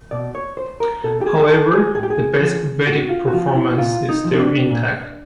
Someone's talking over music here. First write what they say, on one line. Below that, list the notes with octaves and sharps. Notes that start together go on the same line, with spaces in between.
However, the basic Vedic performance is still intact.
B2 D5
C#5
C5
A#4
B2 A4
G4
G#4
G#4
A4
G#4
A2 G#4
G4
G#4
F3
A2 F#4
F4
F#4
F3 F4
E4
A#2 F4
D#4
F3
C#4
D4
A#2